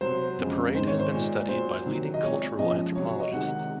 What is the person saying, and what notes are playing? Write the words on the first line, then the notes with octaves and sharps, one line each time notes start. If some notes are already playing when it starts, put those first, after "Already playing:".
The parade has been studied by leading cultural anthropologists.
C3 F#3 C5
F2 C#3 G#3
G#2 D#3 G#3 C5
C#5
C5
A#2 G#3
A#2 F#3 C5
C3 D#3 F#3
D#5
A#2 G#3 C#5
F#2 F3 G#3 D#5
C3 F#3 C#5
C#5
D#5
C3 D#3 G#3 F#5